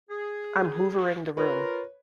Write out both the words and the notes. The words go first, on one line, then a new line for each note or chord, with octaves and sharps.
I'm hoovering the room.
G#4
F4 A#4 B4 C#5